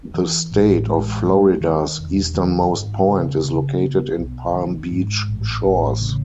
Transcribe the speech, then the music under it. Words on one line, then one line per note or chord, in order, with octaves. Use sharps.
The state of Florida's easternmost point is located in Palm Beach Shores.
E3
A1
G#3
G#3
D#3
E1
D#3
G#2
C#3
C#3
B3
B1
D#3
G#2
A1
A1
C#3